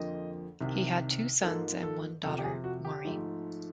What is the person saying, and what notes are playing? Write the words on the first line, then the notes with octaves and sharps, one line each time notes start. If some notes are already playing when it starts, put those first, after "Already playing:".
He had two sons and one daughter, Maureen.
Already playing: F2 D3 F3 A#3 D#5
C2 C3 D#3
G#2 F3 A#3 A4
A4
F2 C3 F3 A4
G4
G#4
F#4
G4
G#2 F3 A3